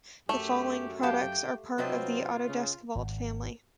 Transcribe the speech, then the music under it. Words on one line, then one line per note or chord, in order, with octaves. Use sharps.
The following products are part of the Autodesk Vault Family.
F#2 A3 G4
G4 F5 G5 A5
C3 F#3 C4 F4 B4 D#5
C#3
G#1